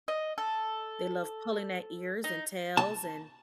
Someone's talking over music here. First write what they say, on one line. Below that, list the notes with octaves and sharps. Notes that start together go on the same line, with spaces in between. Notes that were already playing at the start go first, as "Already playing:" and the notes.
They love pulling their ears and tails and,
D#5
A4
D#4
A5